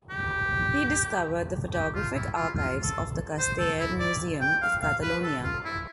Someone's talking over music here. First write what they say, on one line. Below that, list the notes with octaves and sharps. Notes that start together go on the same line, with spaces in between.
He discovered the photographic archives of the Casteller Museum of Catalonia.
G4
G4
F4
E4
F4
F4
A4
C5
A4
E4
D5
G5
F5
F5
B4
A4
F4
E4